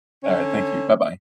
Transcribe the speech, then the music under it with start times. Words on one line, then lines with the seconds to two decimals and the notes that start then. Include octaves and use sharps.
All right. Thank you. Bye-bye.
0.23 D3 C#4